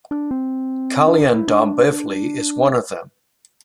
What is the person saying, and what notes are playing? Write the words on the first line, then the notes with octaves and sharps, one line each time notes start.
Kalyan-Dombivli is the one of them.
D4
C4
D4
E4
D4